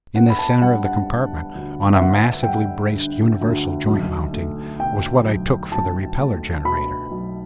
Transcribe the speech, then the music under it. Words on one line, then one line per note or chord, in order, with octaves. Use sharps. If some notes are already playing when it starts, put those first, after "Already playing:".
In the center of the compartment, on a massively braced universal joint mounting, was what I took for the repellor generator.
B3 F#5
B5
A5
G3 F#5
F#5
D3
D2
E5
B3 F#5
G5
G3 F#5
D3
D2
B1
A3
B2 G5
B1
B1 A5
A3
B2 B5
B1